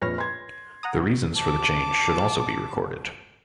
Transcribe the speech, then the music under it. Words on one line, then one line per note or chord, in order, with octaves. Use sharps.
The reasons for the change should also be recorded.
A#1 F2 B4 C#5 F6 A#6
B4 C6 G#6
F#5 A#5 D#6
A5 D6